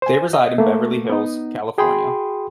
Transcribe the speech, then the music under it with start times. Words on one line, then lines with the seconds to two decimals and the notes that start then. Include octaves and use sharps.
They reside in Beverly Hills, California.
0.02 C5 G#5
0.33 D#5
0.58 A3 A#3
1.10 B3 D#4
1.78 F#4 G#4 G5 B5 C6